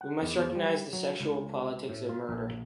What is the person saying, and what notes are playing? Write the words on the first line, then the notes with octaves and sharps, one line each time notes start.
We must recognize the sexual politics of murder.
F#5
E2
E2
G3
F#3
C#2
A2
F4
A#1